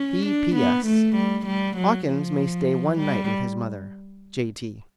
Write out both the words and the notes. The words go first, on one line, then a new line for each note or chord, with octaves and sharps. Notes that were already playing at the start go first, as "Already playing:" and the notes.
P.P.S.--Hawkins may stay one night with his mother. J. T.
Already playing: C#4
D4
B3
A3
G3
G3
F#3
F3
G3